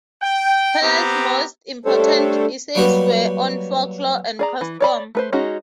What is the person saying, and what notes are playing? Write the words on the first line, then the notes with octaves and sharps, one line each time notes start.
Perles' most important essays were on folklore and custom.
G5
B3 C4 G4 A#5
G3 A3 D4 A4 C5 C#5
F#3 G3 A#3 F#4 G4 B4
G#4 D5 A#5
E3
C#5 D5 B5
A3 B4 C5
G#3 C#4 D#4 F#4 G#4